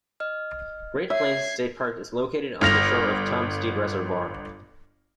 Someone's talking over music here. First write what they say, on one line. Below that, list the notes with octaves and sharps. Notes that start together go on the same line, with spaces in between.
Great Plains State Park is located on the shore of Tom Steed Reservoir.
D#5 F6
C#5 E5 G#6 C7
G1 F6 A#6 F7